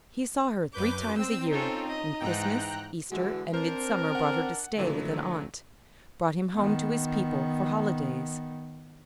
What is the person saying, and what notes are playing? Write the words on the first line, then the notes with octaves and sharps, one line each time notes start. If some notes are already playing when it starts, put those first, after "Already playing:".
He saw her three times a year, when Christmas, Easter, and Midsummer brought her to stay with an aunt, brought him home to his people for holidays.
F#2 B4 D6 G6
C4 E6
C#4 D#4 F4 A4
D#5
G#2 E3 G5 A#5 F#6
D3 E3 G#3 F#4
C4 D4 A#4 C5
F#5
F2 A#2 D3 E3 F#3 A3
D#3 B3